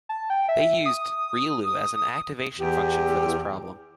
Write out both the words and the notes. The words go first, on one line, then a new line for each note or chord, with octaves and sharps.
They used relu as an activation function for this problem.
A5
G5
E5
D#6
E2 G4